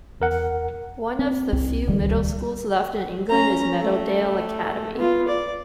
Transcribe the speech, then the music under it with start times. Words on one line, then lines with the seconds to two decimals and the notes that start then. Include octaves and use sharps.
One of the few middle schools left in England is Meadowdale Academy.
0.20 E2 A#4 F#5
1.19 C4
1.52 C2 C4
1.87 D#1 C#2 D#3 G3
3.30 C#4 A#5
3.81 A3
4.97 B3 F4
5.28 D5